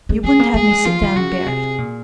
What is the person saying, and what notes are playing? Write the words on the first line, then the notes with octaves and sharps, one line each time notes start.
You wouldn't have me sit down and bear it.
G#3
G#3 G#4
A#3
A#3 G#4
G#3
F3 F4
D#3
C#3 F#4
C3 G#4
A#2